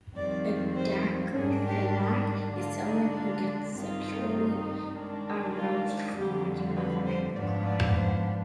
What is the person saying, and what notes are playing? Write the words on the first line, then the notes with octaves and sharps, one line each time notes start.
A dacryphiliac is someone who gets sexually aroused from watching other people cry.
F2 D#3 G3 C4 D5
C5
G#2 D#3 G3 D4 G#4
G4
D3 G#3 D4 F4
D#4
F4
G2 D#3 G3 C4 D#4 F4
D#3 G#3 D4
F4
F2 D3 G3 G4
B4
C5
G#2 F3 B3 D4 D5
D5
C5